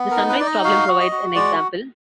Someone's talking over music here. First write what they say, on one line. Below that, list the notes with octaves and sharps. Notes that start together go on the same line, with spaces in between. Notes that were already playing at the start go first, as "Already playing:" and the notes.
The "sunrise problem" provides an example.
Already playing: B3
A#4
D#4
B4
D#4 D5
D#5
F#4 F5
F#4
D#5
F#4
G#3 D5